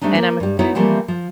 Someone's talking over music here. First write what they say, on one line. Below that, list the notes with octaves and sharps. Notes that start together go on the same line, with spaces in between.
and I'm a
G3 A3 C4 D4 D#4
A#3
G2 G3
B3 D#4 E4 F#4 B4 C#5
E3 F3 G3 A3 A#3 C4
F3